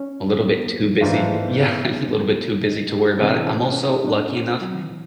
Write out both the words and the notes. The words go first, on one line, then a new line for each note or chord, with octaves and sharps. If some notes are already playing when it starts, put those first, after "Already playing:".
A little bit too busy yeah, a little bit too busy to worry about it. I'm also lucky enough
Already playing: C#4
B3
A#3
F3
G#2 E3 F3 A3 D4 F4
F#3
A#3
B3
C4
B3
D#4
D#4
C3 E3 G#3 D4
C#4
C#4
D#4
D4
C#4
C4
F#3
D#3
E3